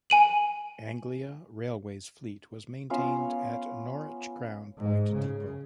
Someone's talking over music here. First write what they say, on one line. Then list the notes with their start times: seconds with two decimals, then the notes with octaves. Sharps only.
Anglia Railway's fleet was maintained at Norwich Crown Point depot.
0.10 G#5 D#7 F#7
2.90 B3 C#4 F4 F5
4.78 G#2
5.13 C#3